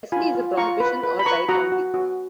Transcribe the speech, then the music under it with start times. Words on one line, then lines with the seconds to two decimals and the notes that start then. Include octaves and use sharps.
Leslie is a prohibition or dry county.
0.12 F4 G#5 B5
0.35 F4
0.57 F4 A#5 C#6
0.80 B4
1.03 B4
1.19 B5
1.26 B4 A#5 C#6
1.48 F#4 F#5 A#5
1.72 F#4
1.94 F#4